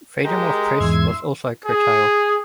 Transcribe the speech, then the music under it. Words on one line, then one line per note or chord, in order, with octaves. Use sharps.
Freedom of press was also curtailed.
G#3 G4 A#4
E2 G#2 E5 C6 G#6
G#4